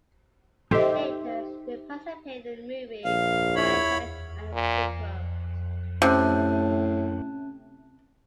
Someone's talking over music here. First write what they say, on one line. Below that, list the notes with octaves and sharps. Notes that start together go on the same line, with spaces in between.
Later, they participated in the movie “Paddington” and its sequel.
D#4 G4 A4 C5 D#5 E5
A#1 F5
E4 C#5 B5
A#2
A2 C3 C#4 A5 F#6